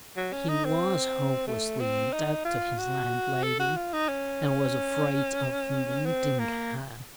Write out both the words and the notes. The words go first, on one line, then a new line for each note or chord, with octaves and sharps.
He was hopelessly in debt to his landlady, and was afraid of meeting her.
F#3
C#4
D#4
C4
A3
C4
D#4
F4
F#4
A4
F#4
F4
D#4
C#4
C4
A#3